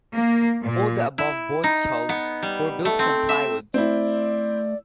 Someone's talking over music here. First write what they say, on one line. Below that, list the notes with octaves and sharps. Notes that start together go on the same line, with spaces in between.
All the above boats' hulls were built from plywood.
A#3
A#2
E4
D#4
B3
G3
A3
C4
E5
A3 C4 E4 D5